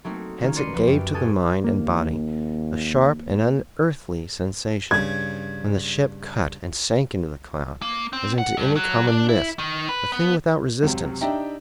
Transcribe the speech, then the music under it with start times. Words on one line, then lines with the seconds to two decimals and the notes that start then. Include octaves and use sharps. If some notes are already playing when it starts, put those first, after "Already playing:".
Hence it gave to the mind and body a sharp and unearthly sensation when the ship cut and sank into the cloud as into any common mist, a thing without resistance.
0.04 F#3 A3 A#3 C4 D#4 F#4
0.42 D#3 A#3 C#4 D#4
0.55 A#4 B4 D5 C6 C#7 D#7
0.73 F3 F#4 B4
0.86 F#2 G4
1.14 F#4 G4 A4 G#5 A5 D#6
1.64 D#2 A#3
4.91 G2 C#3 G#6
7.82 A#3
8.13 C4
8.38 F#5
8.57 G2
8.76 F#3
9.07 D4
9.29 E4
9.59 D#3
9.89 B4
10.12 B3
10.82 C#2 F#2 C3
11.21 D4 D#4 G4 E5 G5 A#5